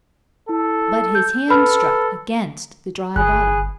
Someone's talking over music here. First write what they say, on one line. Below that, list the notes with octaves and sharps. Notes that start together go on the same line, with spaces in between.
But his hand struck against the dry bottom.
E4 A4
G6
A4 B4 B5 F6
G1 G#4 B5 F#6